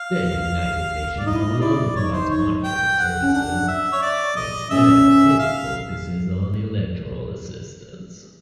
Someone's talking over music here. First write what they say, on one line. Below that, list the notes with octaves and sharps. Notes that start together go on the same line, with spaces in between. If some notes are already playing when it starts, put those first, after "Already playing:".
The United Nations no longer provides monitoring services, instead it focuses on electoral assistance.
Already playing: F5
D5
D#4 D#5
E4
D#4
E4 D5
D#4 C#5
C5
C#5
G5
F#5
C#4
D4 F#5
E5
C#5
D5
D#5
C#4 E5
F5